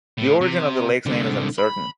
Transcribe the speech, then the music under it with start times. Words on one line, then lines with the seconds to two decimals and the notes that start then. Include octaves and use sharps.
The origin of the lake's name is uncertain.
0.18 A2
0.41 C3
1.06 C2 D3
1.58 B5